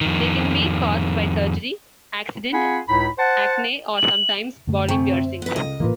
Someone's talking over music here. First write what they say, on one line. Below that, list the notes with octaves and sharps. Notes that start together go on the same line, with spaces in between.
They can be caused by surgery, accident, acne or, sometimes, body piercings.
F2 D#3
C4 F4 G#4 F#5 G#5 B5
C#2 A2 D#4 B5
C5 F#5 A5
F#7
F#2 D3 A3
C3 G5 G#5 C#6
C5 E5
B3 B4
C#2 D#5
A2 E3 A#3 F4 B4